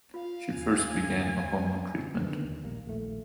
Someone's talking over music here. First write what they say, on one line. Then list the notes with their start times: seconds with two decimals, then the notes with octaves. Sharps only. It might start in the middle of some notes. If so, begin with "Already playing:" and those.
She first began a hormone treatment.
0.14 F4 F5
0.57 D#2 G#5
2.18 D3 D#3 B3
2.44 D#2
2.63 A#1 G3 A#3
2.86 A#1 D#2 A3